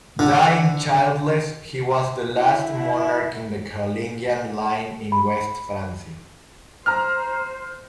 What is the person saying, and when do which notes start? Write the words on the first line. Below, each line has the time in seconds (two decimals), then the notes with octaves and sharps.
Dying childless, he was the last monarch in the Carolingian line in West Francia.
0.19 D3
2.29 E4
5.12 B5
6.86 C5 A#5 F6